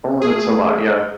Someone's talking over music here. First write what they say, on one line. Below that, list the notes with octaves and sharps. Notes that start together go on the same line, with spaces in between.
Ooh, that's a lot, yeah.
A3 G#4